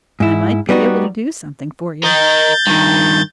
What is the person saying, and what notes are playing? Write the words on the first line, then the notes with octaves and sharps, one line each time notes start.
'I might be able to do something for you.
G#2 E4
G3 B3 D#4 F#4
A#4 D#5 G6 A6
G2 D#3